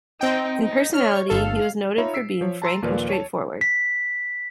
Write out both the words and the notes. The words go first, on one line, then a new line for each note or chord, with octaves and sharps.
In personality he was noted for being frank and straightforward.
C4 D#4 G5
D#4
C#5 F6
G1 A4 F5
D#4 F4 C#5 E5 A#5 B5
E6 B6 C7 D7
F3 C#5
A5 A#5 C6 E6
D#2 A#2 F3 A#4 B4 D5
C#5 A5
B6